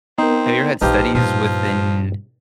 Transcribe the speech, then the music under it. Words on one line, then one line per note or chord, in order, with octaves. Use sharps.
have you ever had studies within
B3 C4 D#4 A#4
A#1 F3 D#4 F4 G4 B4 F5
G2 A#2 F3